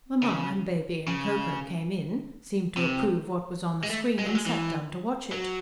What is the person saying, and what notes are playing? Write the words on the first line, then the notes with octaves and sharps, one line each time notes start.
Mamma and Baby and Ko-Ko came in, seemed to approve what was on the screen and sat down to watch it.
C#3
C#3
C3
G#3
A3
G#3
F#3
G#3
E3
F#3